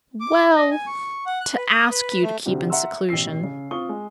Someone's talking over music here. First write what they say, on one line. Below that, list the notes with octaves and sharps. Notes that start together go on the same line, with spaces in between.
"Well--to ask you to keep in seclusion."
D6
D#5
G#5
C#6
F#5
F#6
B4
D#6
B4
A3
C2 D3 C4 F#4 G4
E5 F#5 A#5 C6 E6
A1 B2 E6 C7
C#3
C4 F4 C#6 D#6 G7
G#3